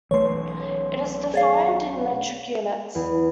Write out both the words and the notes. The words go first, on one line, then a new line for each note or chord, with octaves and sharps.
It is defined in metric units.
B1 E3 A3 C#5 C6
G#4 C#5 D5 F5
E2